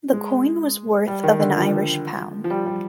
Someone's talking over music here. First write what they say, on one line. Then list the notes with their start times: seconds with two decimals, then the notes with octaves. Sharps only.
The coin was worth of an Irish pound.
0.13 G#3
1.08 G3
1.24 D#3
1.40 D3
1.56 F3
2.44 F3
2.50 G3
2.66 G3